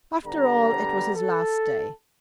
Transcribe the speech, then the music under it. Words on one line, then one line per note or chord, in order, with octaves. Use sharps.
After all it was his last day.
D3 G3 B3 A#5
A4